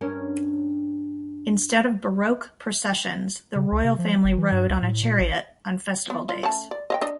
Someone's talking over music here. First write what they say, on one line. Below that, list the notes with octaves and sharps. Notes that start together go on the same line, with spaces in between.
Instead of barque processions, the royal family rode on a chariot on festival days.
G2 C#4 A#4
C#3
C#2
C3
F3
G1
E3
G2
C#2
A2
A#2
A1
B3
F4
A3 C#4 A5
D5
D#5 F5 G5
D4 D#5